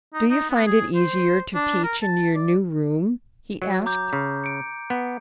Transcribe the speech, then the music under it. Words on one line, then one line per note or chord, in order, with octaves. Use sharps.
"Do you find it easier to teach in your new room?" he asked.
D#4
D#4
B3
G#4
C5
D4
A#4
A5
D5
F#3
A#5 D6 G6
C#3
C#7 D7
B3